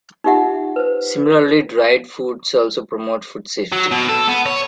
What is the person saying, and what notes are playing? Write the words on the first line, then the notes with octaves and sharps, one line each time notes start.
Similarly, dried foods also promote food safety.
D#4 F4 G4 E5 F#5
B4 C5
F#3
B2
A4
B3
C#5